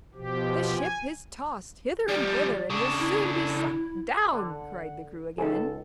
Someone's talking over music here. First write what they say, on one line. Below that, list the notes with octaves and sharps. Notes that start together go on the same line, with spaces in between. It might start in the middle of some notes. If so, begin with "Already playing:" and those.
'The ship is tossed hither and thither, and will soon be sucked down,' cried the crew again.
B2 F3 G4
G#5
F3 G3 D5
C#3 D4
E4
D3 F#5
C#2 D#4 G#4 A4